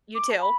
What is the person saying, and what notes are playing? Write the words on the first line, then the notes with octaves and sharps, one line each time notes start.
You too.
D6
A5
B5